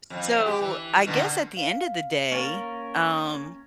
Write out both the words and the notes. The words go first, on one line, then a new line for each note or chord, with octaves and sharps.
So, I guess at the end of the day, um,
F2
G4
E3
B2 D3 A#3
F5
A#3 C#4 A#4 A6